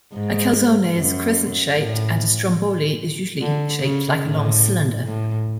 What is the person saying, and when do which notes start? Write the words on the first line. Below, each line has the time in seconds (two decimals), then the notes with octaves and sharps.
A calzone is crescent-shaped, and a stromboli is usually shaped like a long cylinder.
0.13 G#2
0.95 F#2
1.77 A2
3.41 D3
3.82 C#3
4.24 A2
5.06 A2